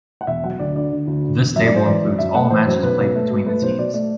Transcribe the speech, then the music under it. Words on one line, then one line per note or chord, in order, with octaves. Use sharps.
This table includes all matches played between the teams.
F#5
E1 E5
F#3 F#5
D2 D5
D3 D5
D3
D2
D3
E1
F#2 E5
D5
F#2 C5
E3 D5
F#2
F#2 E5
A3 F#5
E3 C5
F#2 C5
B1 B4
B1
A3
B2
A3 B4
B1 C5
B2 D5
A3 D5